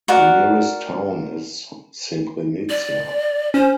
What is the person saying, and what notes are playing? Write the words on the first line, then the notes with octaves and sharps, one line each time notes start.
The nearest town is Srebrenica.
F#4 A#4 D5 F#5
D5
C#4 C5